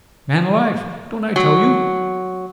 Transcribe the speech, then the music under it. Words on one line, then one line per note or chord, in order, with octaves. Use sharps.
'Man alive, don't I tell you?
F#3